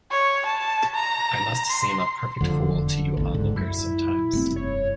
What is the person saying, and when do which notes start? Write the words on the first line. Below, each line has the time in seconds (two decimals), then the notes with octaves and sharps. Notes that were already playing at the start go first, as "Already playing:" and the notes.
I must seem a perfect fool to you onlookers sometimes.
0.11 C#5
0.46 A5
0.94 A#5
1.70 C6
2.41 E1 F2 D3 F3
3.17 A1 E2
3.33 C#2 G#2
3.56 F#2 E4
4.33 F1 G2 C4
4.56 C#5